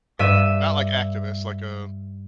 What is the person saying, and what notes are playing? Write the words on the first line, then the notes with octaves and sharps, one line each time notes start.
Okay, not like activists like a
G2 E5 D#7